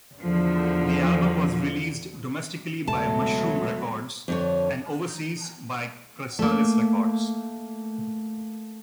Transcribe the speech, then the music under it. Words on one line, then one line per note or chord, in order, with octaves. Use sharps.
The album was released domestically by Mushroom Records, and overseas by Chrysalis Records.
E2 D3 F3
E1 C#3 F#3 G#3 A3 B3 A5
F2 D3 C#5
A3 A#3